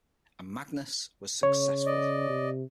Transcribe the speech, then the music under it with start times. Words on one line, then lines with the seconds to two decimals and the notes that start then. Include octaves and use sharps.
And Magnus was successful!
1.43 C#3 C#5
1.86 D5 D#5
2.29 C3